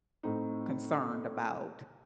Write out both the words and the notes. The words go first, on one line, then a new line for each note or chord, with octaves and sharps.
concerned about
A2 C4 D#4